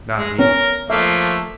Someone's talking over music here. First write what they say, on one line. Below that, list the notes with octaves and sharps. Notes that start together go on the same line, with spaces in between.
Not he.
G#3
B3 C#4 A#4
F3 A3 A#3 E5